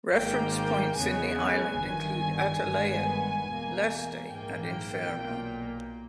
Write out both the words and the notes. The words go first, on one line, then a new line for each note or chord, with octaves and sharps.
Reference points in the island include Atalaia, Leste and Inferno.
G#1 G#2 D#3 A#3 G5
G5
E2 C#3 G#3 B3 G#5
G1 G2 D#3
G1 G2 D#3 G#3 B3
E2 B2 A#3
A#1 G#2 E3 A#3 G5
B1 A#2 A#3